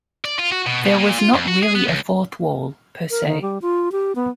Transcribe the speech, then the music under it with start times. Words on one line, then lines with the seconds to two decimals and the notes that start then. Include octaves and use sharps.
There was not really a fourth wall, per se.
0.25 D5
0.39 F4
0.52 F#4
0.66 B2
0.85 B2
0.98 A#2
1.18 F4
1.34 F2
1.48 F#4
1.63 G#4
1.75 B3
1.88 C#2
3.10 A#4
3.26 D#3
3.42 G3
3.62 F4
3.92 G4
4.16 B3